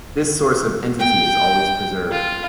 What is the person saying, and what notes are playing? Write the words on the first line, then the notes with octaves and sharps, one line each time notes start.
This source of entity is always preserved.
G5
F4